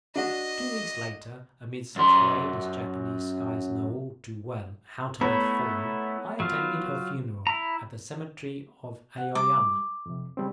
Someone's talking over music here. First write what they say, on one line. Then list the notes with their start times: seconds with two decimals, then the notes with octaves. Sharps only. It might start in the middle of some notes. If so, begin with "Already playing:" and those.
Two weeks later, amid such rain as Japanese skies know all too well how to let fall, I attended her funeral at the cemetery of Aoyama.
0.16 D4 F#4 D#5
1.96 F#2 C6
5.21 A3 B3 E4 C#5 A#5
6.40 F#3 F4
7.47 E4 A#5
9.18 F#5
9.35 G3 D6
10.06 F2 C3
10.37 C#3 G3 C4